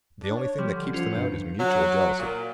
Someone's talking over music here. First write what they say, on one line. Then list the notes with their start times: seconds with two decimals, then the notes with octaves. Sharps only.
The only thing that keeps them out is mutual jealousy.
0.23 D4
0.37 C#5
0.58 F3 G3 G4
0.74 D3
0.93 F3 C#4 F4
1.15 G2 G6 C#7
1.58 F#3
2.19 A#2